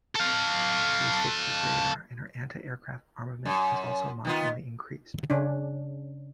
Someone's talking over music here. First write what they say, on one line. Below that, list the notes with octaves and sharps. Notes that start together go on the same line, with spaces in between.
She was fitted with radar and her Anti-Aircraft armament was also marginally increased.
A4 F5
F#2
D#3 B3 F4
C#3 C#4 D4